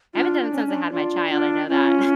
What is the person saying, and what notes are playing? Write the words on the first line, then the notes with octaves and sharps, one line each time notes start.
I haven't done it since I had my child I know that.
D4 F4
D4
C#4
D4
D4 F4
D4 F4
C#4 F4